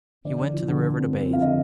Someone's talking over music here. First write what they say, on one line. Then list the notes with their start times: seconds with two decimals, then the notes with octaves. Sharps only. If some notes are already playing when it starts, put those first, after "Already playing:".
He went to the river to bathe.
0.25 D3 D5
0.40 D3
0.53 F3
0.68 D3
0.83 F3
0.98 C4
1.13 C4
1.28 F3 F5
1.42 D3 D#5